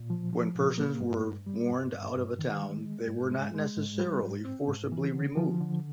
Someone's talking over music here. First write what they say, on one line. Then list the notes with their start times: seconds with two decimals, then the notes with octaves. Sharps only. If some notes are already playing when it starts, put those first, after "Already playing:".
When persons were warned out of a town, they were not necessarily forcibly removed.
Already playing: A#2
0.10 F3
0.33 F3
0.55 A#2
0.78 A#3
1.01 G2
1.24 G2
1.46 G3
1.70 G2
1.93 G2
2.15 G2
2.39 D#3
2.62 G#3
2.85 G#3
3.08 G#2
3.31 G#3
3.54 G#3
3.77 G#2
3.99 G3
4.22 G#2
4.45 C4
4.68 G#2
4.92 E3
5.14 D3
5.37 F3
5.61 D3